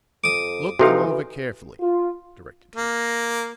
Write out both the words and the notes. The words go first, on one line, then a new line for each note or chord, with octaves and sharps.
"Look them over carefully," directed he.
F2 D6 D#6
C3 E3 D#4 F#4 A4 F5
F4
A#3